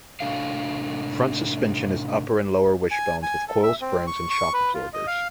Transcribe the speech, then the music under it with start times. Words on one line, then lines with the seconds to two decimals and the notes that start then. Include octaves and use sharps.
Front suspension is upper and lower wishbones with coil springs and shock absorbers.
0.20 A2 C3 D4 F#4 A4 F5
2.91 G#5
3.23 G#5
3.48 A4
3.63 E5
3.81 C4
4.07 C#6
4.30 C#6
4.54 B4
4.74 F4
4.93 D#5
5.07 F5